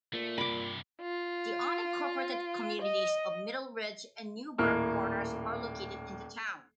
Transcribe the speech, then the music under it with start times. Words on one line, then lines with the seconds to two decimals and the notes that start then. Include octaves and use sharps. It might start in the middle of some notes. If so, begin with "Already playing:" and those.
The unincorporated communities of Middle Ridge and Newberg Corners are located in the town.
0.13 A#2 A3
0.38 G2 C3 B5 D6
1.01 F4
2.81 D#5
4.58 D#1 A2 A#3 F6